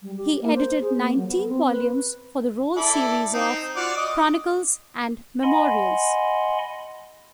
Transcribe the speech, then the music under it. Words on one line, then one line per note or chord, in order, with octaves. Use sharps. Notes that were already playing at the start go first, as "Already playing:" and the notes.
He edited nineteen volumes for the Rolls series of "Chronicles and Memorials".
G3
G4
A#3
C5
G#4
A#3
F#3
B3
C4
B4
E4 A4 D5
C4 D#4
F4 F#4 D5
D5 D#5
D#5 F#5 G#5 B5 C6